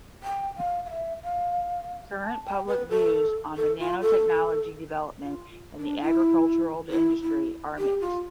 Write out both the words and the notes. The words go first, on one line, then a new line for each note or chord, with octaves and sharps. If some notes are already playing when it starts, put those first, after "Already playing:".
Current public views on nanotechnology development in the agricultural industry are mixed.
G5
F5
F5
E5
F5
A5
G5
B4
A4
A4
F4
A4
F4
D4
E4
E4
E4
G4
F4